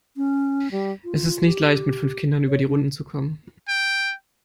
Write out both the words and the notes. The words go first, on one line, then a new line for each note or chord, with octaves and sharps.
Es ist nicht leicht, mit fünf Kindern über die Runden zu kommen.
C#4
G3
F4
G4
C#5
D4
G5